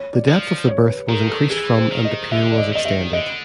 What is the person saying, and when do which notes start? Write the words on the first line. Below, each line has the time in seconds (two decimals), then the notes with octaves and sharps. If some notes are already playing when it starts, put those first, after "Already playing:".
The depth of the berth was increased from and the pier was extended.
Already playing: C#5
0.14 D5
0.28 F3
0.69 C#5
0.89 B4
1.09 D#3 A#4
1.29 A4
1.50 E3 G#4
1.78 C5
1.91 D#3
2.05 D#5
2.32 D3 E5
2.52 D5
2.58 D#5
2.73 D#3 D#5
2.85 E5
3.13 D3 D#5